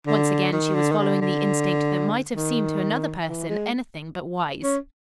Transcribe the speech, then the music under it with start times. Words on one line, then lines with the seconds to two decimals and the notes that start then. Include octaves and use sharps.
Once again she was following the instinct that might have seemed to another person anything but wise.
0.07 D3
0.52 D#3
0.75 D3
0.91 D#3
0.99 D3
1.21 D3
2.35 D#3
3.27 E3
3.49 G#3
4.63 C#4